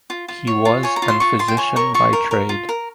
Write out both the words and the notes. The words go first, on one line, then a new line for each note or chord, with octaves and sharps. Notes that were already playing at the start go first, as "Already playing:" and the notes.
He was an physician by trade.
F4
F4
C#5
F4
C#5 G#5
A#5
F4
C6
F4 C#6
F4 C6
G5
C#5 G#5
A#4 C#6
F4 C#6
A#4
A#4
F4
A#4